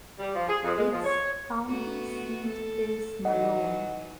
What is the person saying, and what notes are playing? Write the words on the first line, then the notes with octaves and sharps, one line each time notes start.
Its county seat is Malone.
G3
F3
G#4
F2
G#3
F3
C#5
A3 B3 F#4
A4
E3 F#3 D#4 D#5 F#5